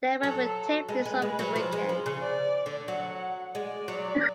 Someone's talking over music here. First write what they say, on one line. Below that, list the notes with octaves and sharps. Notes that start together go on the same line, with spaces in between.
The event will take place over the weekend.
F#3 A4
G#3 B4
G#3
G#3
F#3
F3
G#3
F3
C#3
D5
D3
F#3 F#5
G#3 D5
F#3